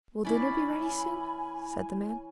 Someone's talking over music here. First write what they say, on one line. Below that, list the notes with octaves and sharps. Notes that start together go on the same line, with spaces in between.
"Will dinner be ready soon?" said the man.
E3 C#4 E4 D5 G#5 B5